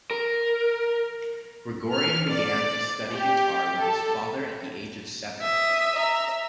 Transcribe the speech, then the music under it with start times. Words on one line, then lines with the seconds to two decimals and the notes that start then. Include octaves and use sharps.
Grigoryan began to study guitar with his father at the age of seven.
0.11 A#4
1.93 F6
2.31 D5
3.14 G4
3.81 A4
5.42 E5 D#6
5.96 E5 A#5